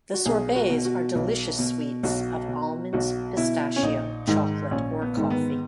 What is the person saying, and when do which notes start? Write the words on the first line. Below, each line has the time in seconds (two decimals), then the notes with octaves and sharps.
The sorbets are delicious sweets of almonds, pistachio, chocolate, or coffee.
0.14 F#4
0.25 B1 G#4
0.56 F#4
0.70 B2
0.85 F#4
1.15 B1
1.59 B2
2.03 B1 F#4
2.48 B2
2.93 B1 F#4
3.37 B2 E4
3.76 C#4
3.83 A#1 D#4
4.27 G#2 D#3
4.71 A#1 C#4
5.02 B3
5.17 G#2 D#3
5.30 B3